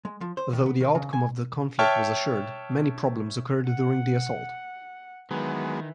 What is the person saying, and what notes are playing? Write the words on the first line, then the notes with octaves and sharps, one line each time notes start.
Though the outcome of the conflict was assured, many problems occurred during the assault.
G#3
F3
C5
D#3
B3
D#3
C#3
G#5
C#5 E5 G5 A5 C#6 F6
F#5
D#3 E3 F#3 G#3 B3